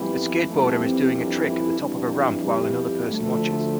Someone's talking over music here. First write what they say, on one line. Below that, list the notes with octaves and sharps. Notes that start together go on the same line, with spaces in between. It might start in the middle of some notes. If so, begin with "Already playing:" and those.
A skateboarder is doing a trick at the top of a ramp while another person watches.
Already playing: F2 E3 G3 B3
F2 E3 G3 A3
C4
D4
E4
F2 E3 G3 D4
G3
D2 D3 F3 A3